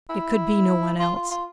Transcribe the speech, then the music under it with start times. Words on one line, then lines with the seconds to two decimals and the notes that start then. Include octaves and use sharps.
It could be no one else.
0.10 E4
1.00 F4
1.16 F4
1.31 F4